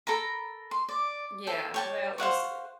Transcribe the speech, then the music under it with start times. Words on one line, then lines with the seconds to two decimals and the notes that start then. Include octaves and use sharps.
Yeah, that was, i
0.07 A4 A#4 A#5 B5
0.71 C6
0.89 D5
1.47 A4 G5
1.74 C#5 G5 A5
2.18 C5 F5 F#5 C#6